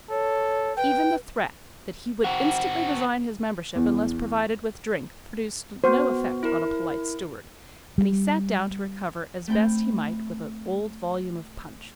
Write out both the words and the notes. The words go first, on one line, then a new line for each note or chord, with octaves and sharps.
Even the threat that he would instantly resign his membership unless provided with drink produced no effect on a polite steward, and he sat down to recover as best he might with an old volume of Punch.
A4 C#5
B4 G5
C4 F#4
E2
B3 F#4 C5
E4 A#4
G3
A3 C4 G5 B5